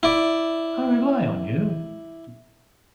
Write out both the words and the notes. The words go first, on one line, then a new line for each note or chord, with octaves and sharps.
I rely on you.
E4 D5